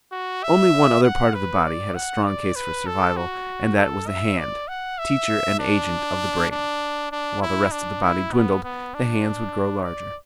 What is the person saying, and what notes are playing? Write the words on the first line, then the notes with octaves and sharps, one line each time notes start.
Only one other part of the body had a strong case for survival, and that was the hand, "teacher and agent of the brain." While the rest of the body dwindled, the hands would grow larger.
F#4
E5
F#5
B4
D5
F#5
D5
B4
A4
F#4
A4
E5
D5
F#5
E5
D4
D4
D4
E4
D4
E4
B3
B3
D4
D5